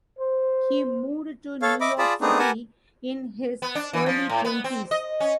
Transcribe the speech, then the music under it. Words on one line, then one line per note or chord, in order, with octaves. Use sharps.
He moved to New York City in his early twenties.
C5
A4 C#5 F5
D#5 E5 B5 D6
F4 G#4 D5 A5 B5
A3 B3 C4 D4 D#4 G#4
G4 A#4 B4 F#5 G#5 A5
B3
D4
E3
F3
A2
B3
C4
D#5
C#4